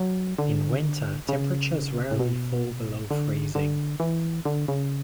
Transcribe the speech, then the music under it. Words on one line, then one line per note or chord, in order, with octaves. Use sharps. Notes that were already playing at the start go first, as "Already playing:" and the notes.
In winter, temperatures rarely fall below freezing.
Already playing: F#3
D3
C#3
A2
B2
D3
D3
E3
D3
C#3